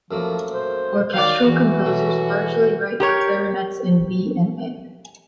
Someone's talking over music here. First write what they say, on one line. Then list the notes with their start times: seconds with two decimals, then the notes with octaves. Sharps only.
Orchestral composers largely write for clarinets in B and A.
0.11 F#2 F3 A3 A#3
0.52 C5
1.14 D#3 F#3 D5 F5
1.44 E2 E3 F#4
1.85 B2 F#3 A3
3.00 G4 A#4 C#5